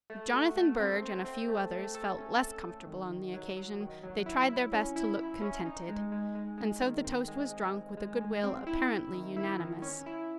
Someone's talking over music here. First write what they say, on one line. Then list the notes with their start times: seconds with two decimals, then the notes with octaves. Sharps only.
If Jonathan Burge and a few others felt less comfortable on the occasion, they tried their best to look contented, and so the toast was drunk with a goodwill apparently unanimous.
0.10 A3
0.33 F#4
0.56 A3
0.79 C4
1.02 C4
1.25 C4
1.48 A3
1.71 A3
1.94 A4
2.18 C#4
2.41 A4
2.64 A3
2.87 D#3
3.11 D#3
3.34 F#3
3.57 F#3
3.80 D#3
4.03 F#3
4.26 E4
4.50 E4
4.72 C#4
4.96 E4
5.19 E4
5.42 C#4
5.66 D#4
5.89 G#3
6.12 G#3
6.35 G#3
6.58 G#3
6.81 D#3
7.04 C4
7.28 G#3
7.51 G#3
7.74 G#3
7.97 G#3
8.21 G#3
8.43 C4
8.67 E4
8.90 E4
9.13 D#3
9.36 E4
9.59 D#3
9.82 C#4
10.06 E4